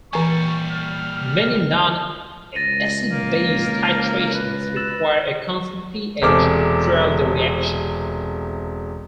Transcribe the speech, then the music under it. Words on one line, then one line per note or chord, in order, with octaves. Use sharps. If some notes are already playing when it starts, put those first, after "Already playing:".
Many non-acid-base titrations require a constant pH throughout the reaction.
A#2 E3 G3 G#5 C#6
F6
C#2 A6 A#6 D#7
A#3
B4
E6 A6 E7
E1 C3 G#4 A4 D6 F6